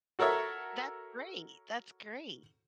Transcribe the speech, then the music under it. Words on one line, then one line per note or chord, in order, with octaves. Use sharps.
That great, that's great.
F#4 A4 A#4 C#5 E5